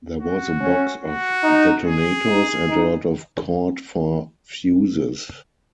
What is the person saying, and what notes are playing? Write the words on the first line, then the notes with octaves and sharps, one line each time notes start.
There was a box of detonators, and a lot of cord for fuses.
F#4
C#4
F#4
D#4
G#4
D#4
D#4